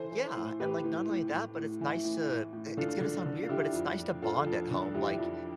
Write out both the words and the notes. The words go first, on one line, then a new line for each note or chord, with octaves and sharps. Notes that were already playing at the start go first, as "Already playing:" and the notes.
Yeah, and, like, not only that, but it's nice to, eh, it's gonna sound weird, but it's nice to bond at home. Like,
Already playing: E3 A4 C5
E3
A2
A2 G4 B4
A2
A2
A2
A2
E3
A2
A2
A2
D3 F4 A4
D3
D3
F4
D3 E4 G4
F2
F2
F2 F4 A4
F2
D3
F2 E4 G4
F2